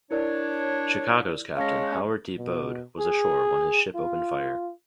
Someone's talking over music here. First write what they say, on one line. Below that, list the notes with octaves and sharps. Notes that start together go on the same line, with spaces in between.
"Chicago's" captain, Howard D. Bode, was ashore when his ship opened fire.
D4 E4 A#4 C#5 D5
G#3 C#4 F5 A5 A#6
B2
G#4
F4